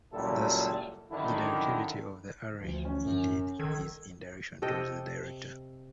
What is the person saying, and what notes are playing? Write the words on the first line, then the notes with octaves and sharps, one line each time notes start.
Thus the directivity of the array indeed is in the direction towards the director.
C#2 A#2 F#3 G3 E4 A4
F#2 D3 D#3 D4 E4
D2 D3 E3 F3
C#4
F#2
A1 D#3 A4 G#6
C3 A4 D#5 G5